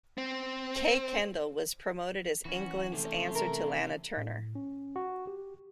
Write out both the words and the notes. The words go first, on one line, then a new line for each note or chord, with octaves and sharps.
Kay Kendall was promoted as England's answer to Lana Turner.
C4
E3 C#4 F#4
C3 A3
A#4
A2
C#4
F#4
G4